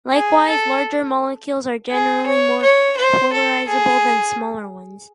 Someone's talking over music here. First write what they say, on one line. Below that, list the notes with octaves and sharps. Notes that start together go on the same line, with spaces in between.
Likewise, larger molecules are generally more polarizable than smaller ones.
G#4
A4
G#4
C#5
C#5
C5
A4
G#4